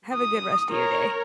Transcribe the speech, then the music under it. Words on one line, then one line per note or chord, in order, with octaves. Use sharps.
Have a good rest of your day.
D#6
A#4 C#5